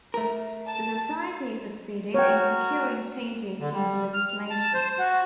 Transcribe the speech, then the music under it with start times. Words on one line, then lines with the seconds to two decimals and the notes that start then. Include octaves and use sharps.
The Society succeeded in securing changes to the legislation.
0.14 A3 A#4
0.66 A5
2.14 F#4 A#4 C#5 G5
3.59 D3
3.72 G3
4.14 F6
4.50 A5
4.74 C5
4.99 F#4